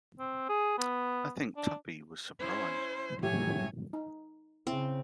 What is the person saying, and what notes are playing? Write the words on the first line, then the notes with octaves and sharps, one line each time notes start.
I think Tuppy was surprised.
C4
G#4
B3
D4
C#4 E4 C5
A2 F#3 G4 C#5 G#5
D#4
C#3 C4 E4